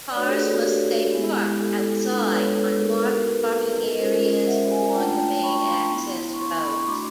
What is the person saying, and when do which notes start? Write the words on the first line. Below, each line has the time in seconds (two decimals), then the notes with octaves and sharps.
Cars must stay parked outside on marked parking areas along the main access roads.
0.11 D5
0.15 A3 D4 F#4 B4 C#5
0.28 G4 A4
0.40 F#4 G#4
0.52 F#4 G#4
0.64 G4
0.88 F#4
1.11 G#3 B3 E4 G4
1.59 G4 A4
2.07 G#3 B3 D4 F4 A4 B4
2.31 B4 C#5
2.55 A4 B4
2.79 G#4 A#4
2.93 B4
3.03 B3 D#4 F#4 G#4 A#4
3.27 A4 B4
3.99 G#3 C#4 F4 A#4 C5
4.47 E5 F#5
4.71 F#5 G#5
4.89 A#5
4.95 A3 D4 F4 G5 A5
5.19 G5 A5
5.43 B5 C#6
5.66 A#5 C6
5.90 B3 E4
6.33 C#6
6.39 A#5 C6
6.63 B5 C#6
6.86 A3 D4 F#4 C6 D6